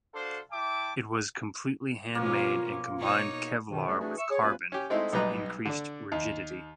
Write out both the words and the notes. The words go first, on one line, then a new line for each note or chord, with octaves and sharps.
It was completely handmade and combined Kevlar with carbon for increased rigidity.
D4 F#4 A4 C5 F5 C6
E4 E5 G5 A5 D6
B2 F3 A#3 C#4 F4
B2 D#4 C#5
F2 G#2 B2 D#3
C#3 F3 G3 A3 D4
E3 G3 A3 D4 F#4 G#4
E5 C#6 E6
G#4 C#5
C3 F#3 A#3 C#4 F4 B4
C#4 G4
G#3 A3 C4 D#4 E4
B1 B2 G3 G#3 B4 A#5
D3 D5
D#2